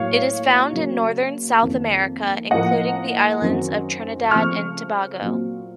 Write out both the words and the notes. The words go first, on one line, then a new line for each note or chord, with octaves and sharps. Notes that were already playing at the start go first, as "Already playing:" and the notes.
It is found in northern South America, including the islands of Trinidad and Tobago.
Already playing: A2 F#3 A#3 C#5 F5
C#3 F#3 A#3
F2 D#3 A#3
A2 F3 A#3 D#5 F#5
F#2 D#3 F#3 C4
C#3 F3 A3 C4 C#6 F6
A#2 F#3 C4